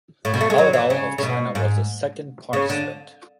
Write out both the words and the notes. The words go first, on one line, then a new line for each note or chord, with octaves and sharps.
Hao Rao of China was the second participant.
A2
B2
A3
G#3
F#3
E3
C#3
C#3
B2
G#2
C#3
D3